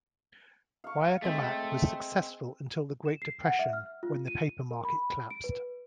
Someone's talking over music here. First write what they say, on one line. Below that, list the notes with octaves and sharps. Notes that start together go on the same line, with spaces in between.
Wayagamack was successful until the Great Depression when the paper market collapsed.
F5 C#6
G#3 A3 C4
E7
C7
F#5
E5
F6
F4
D#7
A#4
B5
D7
B4